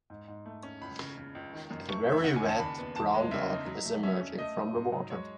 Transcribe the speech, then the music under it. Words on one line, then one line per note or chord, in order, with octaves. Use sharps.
A very wet brown dog is emerging from the water.
G#2
G#2
A3
C#4
C#2 B5
C#3
C#3
C#2
D#3
F#2
A3 C#6
A3
E5
C#3 F#5
G#5
D#2
A5
D#2 B5
B3
E2 A5
G#3
C#3 E5
D#4
F#3
A3
C#4 E5
C#4
A3 D#5
A3
G#2
F#3
G#3 C#5